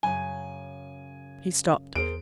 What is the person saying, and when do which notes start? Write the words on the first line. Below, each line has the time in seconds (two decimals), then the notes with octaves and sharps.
He stopped.
0.03 F#2 C#3 G#5
1.95 E2 G#4 A#4 C5 D7